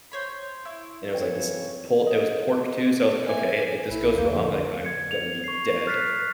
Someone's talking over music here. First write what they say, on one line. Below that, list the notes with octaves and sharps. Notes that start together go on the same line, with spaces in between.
and it was like this pull it was pork too, so I was like, "Okay, if this goes wrong, like, I'm gonna be dead,
C5 C#5 B5
E4
F2 C#3 B4 C#5 G5
D#5
B4 E5 G#5
B1 E4
E2 A#3 G6
F2 D3 G#4
G#6 C#7
F7
C#6 C7
F6 F#6 A6 B6 C7